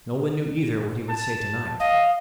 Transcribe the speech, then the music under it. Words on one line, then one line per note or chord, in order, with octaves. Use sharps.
No one knew either what he would say to-night.
A5
D#5 F5